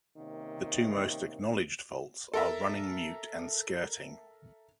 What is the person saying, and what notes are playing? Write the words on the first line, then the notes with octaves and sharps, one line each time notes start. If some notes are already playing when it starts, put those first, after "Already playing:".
The two most acknowledged faults are running mute and skirting.
C3 D#3 A#3 C#4
A4 A#4 E5